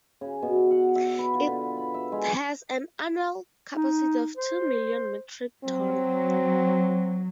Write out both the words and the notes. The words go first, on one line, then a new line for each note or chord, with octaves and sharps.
It has an annual capacity of two million metric tonn.
C#3
B2
E5
F#5
E5
B4
F4
D3
B5
E5
G#3
D#4
C5
F#3 C4